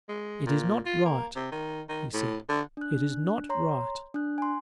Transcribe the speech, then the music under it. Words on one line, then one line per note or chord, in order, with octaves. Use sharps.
"It is not right," he said; "it is not right."
G#3
A#2
F4
A#3
C3
D#3
D#3
A2
D3
D4 F#6
C#5 A#5 C6
D4 F#6
G#5 C6